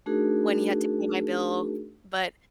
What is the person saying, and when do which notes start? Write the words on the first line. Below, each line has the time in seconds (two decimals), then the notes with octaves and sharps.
when he had to pay my bill, but
0.06 A3 D4 D#4 F#4 G#4 A#4